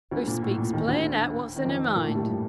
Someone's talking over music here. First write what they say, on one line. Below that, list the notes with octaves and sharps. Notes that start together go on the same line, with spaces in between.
'Hoo speaks plain out what's in her mind.
D2 D3
A#2
A2
A#2
D#2 D#3
D2 D3
D#3
F2 F3
A#2 A#3
A2 A3
G2 G3
G3